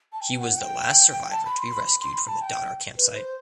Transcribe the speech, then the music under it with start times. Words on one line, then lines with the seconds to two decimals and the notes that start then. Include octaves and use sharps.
He was the last survivor to be rescued from the Donner campsite.
0.12 A5
0.21 G5
0.39 F#5
0.58 G5
1.31 A5
1.45 B5
1.59 C6
1.73 B5
1.86 B5
2.00 C6
2.14 B5
2.28 A5
2.41 G5
2.97 B4
3.16 C5